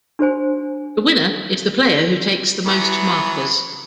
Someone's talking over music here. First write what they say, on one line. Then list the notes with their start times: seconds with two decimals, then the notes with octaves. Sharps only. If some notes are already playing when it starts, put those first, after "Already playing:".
The winner is the player who takes the most markers.
0.19 D4 F#4 C5 G#5
2.66 E3 F#3 B3